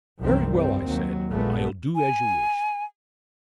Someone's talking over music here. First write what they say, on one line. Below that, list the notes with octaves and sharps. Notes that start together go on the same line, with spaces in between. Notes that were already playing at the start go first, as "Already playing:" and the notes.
"Very well," I said; "I'll do as you wish."
F1 C2 F#2 D#3 E3 C4
G2 G3 C4
D#2 F#3
A#1 A#2 G#3 A3 B3
G#5